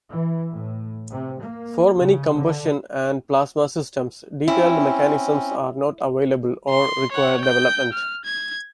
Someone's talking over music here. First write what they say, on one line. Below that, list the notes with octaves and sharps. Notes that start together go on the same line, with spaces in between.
For many combustion and plasma systems, detailed mechanisms are not available or require development.
E3
A2
C3
A#3
C#3
D3
C4 C#4 E4
C6
C#5 F#5
G5 G6
F6
G#6